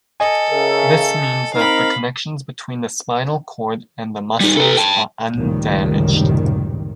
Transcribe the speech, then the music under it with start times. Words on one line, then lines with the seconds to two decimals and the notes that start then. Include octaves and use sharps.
This means that the connections between the spinal cord and the muscles are undamaged.
0.20 A4 D#5 G#5
0.51 C#3 A#4 E5
1.54 C4 D#4 A#4 F5 B5
4.40 G3 D#4
4.57 A4 B4
4.77 G5 A5
5.34 C#2 F#2 A2 C3 D#3 G3